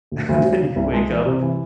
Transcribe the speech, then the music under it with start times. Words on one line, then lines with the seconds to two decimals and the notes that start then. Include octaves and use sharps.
and then you wake up,
0.11 D2
0.29 D2
0.44 F#3
0.60 C#3
0.76 C2
0.93 G#3
1.09 E3
1.25 C3
1.42 E3